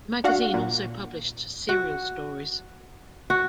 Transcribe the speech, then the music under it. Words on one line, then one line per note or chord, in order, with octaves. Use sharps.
The magazine also published serial stories.
D4 F#4 F5 F#5
A#2
F#4
F#4